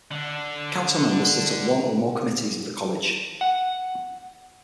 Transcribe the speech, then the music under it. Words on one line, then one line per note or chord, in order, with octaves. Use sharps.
Council members sit on one or more committees of the College.
D3 D4
F#5